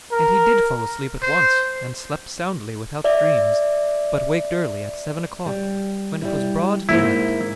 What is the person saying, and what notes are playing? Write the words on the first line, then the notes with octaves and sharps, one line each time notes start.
And he did fall asleep at once, and slept soundly without dreams, but waked early, at seven o'clock, when it was broad daylight.
A#4
C5
D5 E5
G3
G3 E4
G#2 A#3 E4 C5